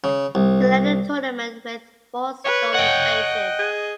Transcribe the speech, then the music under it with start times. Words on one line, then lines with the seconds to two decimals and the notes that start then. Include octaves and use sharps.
He led the tournament with four stolen bases.
0.04 C#3
0.35 C2
2.45 B4 C#5
2.74 D#5 F#5 G5
3.59 G#4